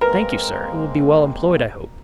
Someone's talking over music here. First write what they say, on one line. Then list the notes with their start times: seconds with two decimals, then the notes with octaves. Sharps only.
"Thank you, sir; it will be well employed, I hope."
0.01 G#3 A#3 C4 A#4 B4